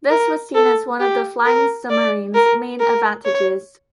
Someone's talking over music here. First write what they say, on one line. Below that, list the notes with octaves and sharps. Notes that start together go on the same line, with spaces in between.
This was seen as one of the flying submarine's main advantages.
A#4
A4
G4
A#4
D5
A#4
A#4
C#5